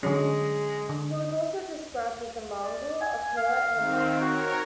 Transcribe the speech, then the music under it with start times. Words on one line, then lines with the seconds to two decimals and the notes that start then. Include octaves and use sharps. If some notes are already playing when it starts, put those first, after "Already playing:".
He was also described as a mongrel, a cur, and a mutt.
0.03 D3 F#3 G#3 C#4
0.89 D3
2.62 D5
3.01 G#5
3.37 F5
3.73 D#3 C4
4.21 F#4 A#4 C#5